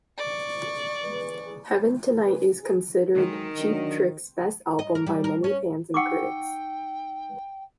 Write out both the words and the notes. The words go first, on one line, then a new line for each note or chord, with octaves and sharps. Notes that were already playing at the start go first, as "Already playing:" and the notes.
"Heaven Tonight" is considered Cheap Trick's best album by many fans and critics.
D5 C#6
D#3 F#3 G#3
F#3 D4
D#5
A#4
G3
A#4
C#4
D#4 F#5 G5 C#6 D6 E6 C#7